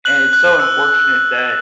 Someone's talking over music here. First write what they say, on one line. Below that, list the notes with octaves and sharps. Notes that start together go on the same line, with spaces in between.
and it's so unfortunate that
F#6 F#7
F#6
E6